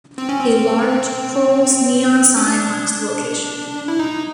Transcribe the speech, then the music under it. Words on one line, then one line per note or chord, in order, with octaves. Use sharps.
A large "Croll's" neon sign marks the location.
C4
C#4
C4
C#4
D4
E4
D#4